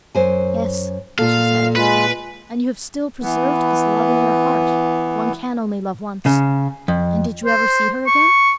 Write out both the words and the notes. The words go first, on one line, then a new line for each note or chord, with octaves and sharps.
"Yes," she said, "and you have still preserved this love in your heart--one can only love once--and did you ever see her again?"
F#2 C5 G#5
A#2 F4 A4 F5
G#3 F4 B4
E3 B3
C#3
F2
C5
C#6